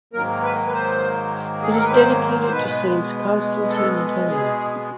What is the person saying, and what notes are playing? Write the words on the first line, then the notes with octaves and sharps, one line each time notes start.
It is dedicated to Saints Constantine and Helena.
G#2 D#3 F#3 A#3 A#4
B4
B4
C5
G#4
A4
A#4
B4
C5
C5
B2 G#3 B3 B4
A4
G#4